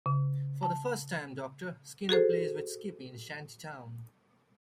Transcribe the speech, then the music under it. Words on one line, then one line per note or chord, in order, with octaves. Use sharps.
For the first time, Doctor Skinner plays with Skippy in Shantytown.
C#3
A5
F#4 G#4 A4 C5